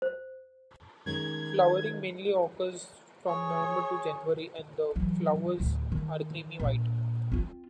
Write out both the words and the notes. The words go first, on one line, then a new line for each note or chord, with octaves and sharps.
Flowering mainly occurs from November to January and the flowers are creamy white.
C5
D#3 G#3 C#4 G#6
G#4 C#5
E3 F#3
D2 A2
D#3
A#1
C4 F4